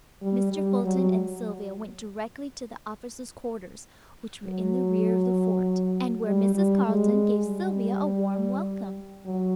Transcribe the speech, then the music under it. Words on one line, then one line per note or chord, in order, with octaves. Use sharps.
Mr. Fulton and Sylvia went directly to the officer's quarters, which were in the rear of the fort, and where Mrs. Carleton gave Sylvia a warm welcome.
G3
G3
F#3
F#3
G3
G3
G#3
G3
F#3